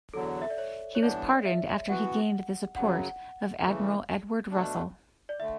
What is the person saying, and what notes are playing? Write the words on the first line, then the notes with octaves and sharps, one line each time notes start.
He was pardoned after he gained the support of Admiral Edward Russell.
E2 D3 F#3 A4
E5
D5
C#5
C#5
G2 E3 B3 D4 D5
E5
E3 B3 F#4 F#5
F#2 C#3 F#3 F#5
C#3 E3 A3
B2 A3 D4
D5
D3 A3 E5